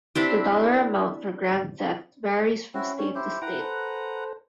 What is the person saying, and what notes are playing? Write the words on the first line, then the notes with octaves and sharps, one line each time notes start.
The dollar amount for grand theft varies from state to state.
C4 D4 E4 G4
C4 C#4 E4 F#4
G3 C#5
E4 G4 C5
E4 B4 F#5 G5 A#5
A4 C5